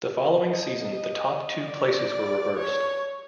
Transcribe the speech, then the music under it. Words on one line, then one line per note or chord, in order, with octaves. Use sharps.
The following season the top two places were reversed.
D#5
D5
C#5